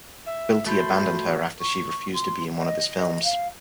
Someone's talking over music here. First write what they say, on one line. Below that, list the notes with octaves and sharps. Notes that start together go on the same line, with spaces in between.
Quilty abandoned her after she refused to be in one of his films.
E5
A3 F#4 C5 B5
C#6
C6
D#5
F5